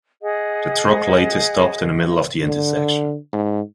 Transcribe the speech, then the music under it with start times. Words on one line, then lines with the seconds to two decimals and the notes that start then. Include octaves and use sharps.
The truck later stopped in the middle of the intersection.
0.23 G#4 D#5 F#5
2.44 D3
3.33 G#2